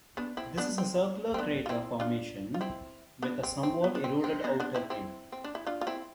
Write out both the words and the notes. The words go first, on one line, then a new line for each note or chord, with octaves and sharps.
This is a circular crater formation with a somewhat eroded outer rim.
B3 D4
C4 E4
B3 D4
C4
C4
B3 D4
F4
C4 E4
D4 F4
F4
C4 E4
B3 D4
C4
C4
B3
D4
C4
C4
B3 D4
B3 D4
C4 E4
C4 E4
C4
D4
E4
D4 F4
F4
C4 E4